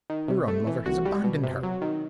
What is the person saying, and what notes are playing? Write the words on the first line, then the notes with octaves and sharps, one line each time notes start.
Her own mother has abandoned her.
D#3
C3
A3
E3
C2 F#4
G3
B2
C3
F#3
D#3